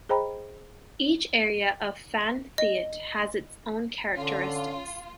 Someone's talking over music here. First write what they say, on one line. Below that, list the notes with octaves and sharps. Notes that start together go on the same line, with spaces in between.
Each area of Phan Thiet has its own characteristics.
G#4 C5 D#5 G5 A#5 B5
D#5
D3 C#4 F4